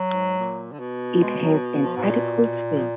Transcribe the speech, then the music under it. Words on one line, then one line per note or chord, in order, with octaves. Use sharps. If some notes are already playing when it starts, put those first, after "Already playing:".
It has an adipose fin.
Already playing: F#3
G#2
A#2
D3
B2
G#3
F#3
F3
G#2
A#2
F3